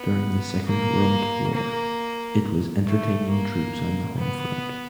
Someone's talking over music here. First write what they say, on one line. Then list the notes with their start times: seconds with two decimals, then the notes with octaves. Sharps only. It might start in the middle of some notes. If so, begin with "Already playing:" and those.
During the Second World War it was entertaining troops on the home front.
Already playing: B3
0.67 A#3
1.55 A#3
2.87 A3
3.30 A#3
4.18 B3